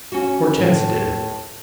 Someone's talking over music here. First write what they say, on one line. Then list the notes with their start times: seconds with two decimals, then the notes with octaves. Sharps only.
"Hortense did it."
0.12 C#4 F#4
0.57 A2